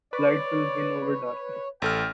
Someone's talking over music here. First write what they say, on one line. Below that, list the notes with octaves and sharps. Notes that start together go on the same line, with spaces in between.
Light will win over darkness.
B4 C#5 D5
A1 A4 G5 F6